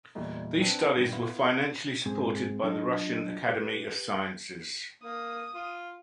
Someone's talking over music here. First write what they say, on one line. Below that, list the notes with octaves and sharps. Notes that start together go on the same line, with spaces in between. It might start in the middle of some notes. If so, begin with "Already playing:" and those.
These studies were financially supported by the Russian Academy of Sciences.
E2 A#2 G3 A3 D#4
C4 D4 B4
G2 A#2 D#3 G3
B3 E4 F4
G#2 C4 G#4
F#3 D4 F4 A4 D#5
G4 B4
A#3 D#6
F4